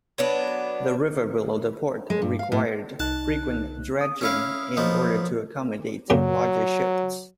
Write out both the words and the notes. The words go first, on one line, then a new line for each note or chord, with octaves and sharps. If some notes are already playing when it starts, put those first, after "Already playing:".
The river below the port required frequent dredging in order to accommodate larger ships.
F#3 B3 D4
G#3
G2
F5
A2
C2 D#4 A5 F#6
D#6
C#4 E4 F5
B1 F3 B3 D#5
F#2 A#2 C#3 F#3